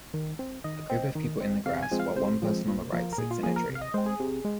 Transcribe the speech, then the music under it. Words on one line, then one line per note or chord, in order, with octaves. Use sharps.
A group of people in the grass while one person on the right sits in a tree.
D#3
C4
D#3 D#5
C4
D#3
C4
C3 F5
G#5
F3 G#3 C4
F5
C3 C5
F3 G#3 C4
A#2
F3 A#3
A#4
A#2 G#4
F4
F3 A#3 G#4
A#4
C3
F5
D#5
G#3 C4 C5
G#4
C3
G#3